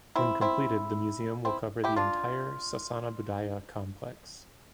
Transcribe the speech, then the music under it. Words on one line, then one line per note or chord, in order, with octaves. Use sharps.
When completed, the museum will cover the entire Sasana Budaya complex.
C4 E4
C4 E4
C4 E4
E4 G4
D4 F4